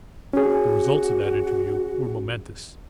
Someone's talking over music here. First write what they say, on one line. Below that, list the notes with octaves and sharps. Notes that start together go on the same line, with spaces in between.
The results of that interview were momentous.
C#4 F#4 G#4